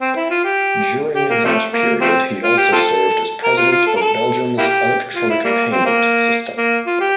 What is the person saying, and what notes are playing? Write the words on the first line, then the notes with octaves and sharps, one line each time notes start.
During that period, he also served as President of Belgium's Electronic Payment System.
C4
E4
F4
G4
G4
A#3
C3 F3 A3
A#3
F3 A3 C4
F4
G4
C4 F4 A4
A#4
F4
F4
A4
A#4
A4
A#3 E4 G4
F4
E4
G3 A#3
C4
A#3
A#3
F4
G4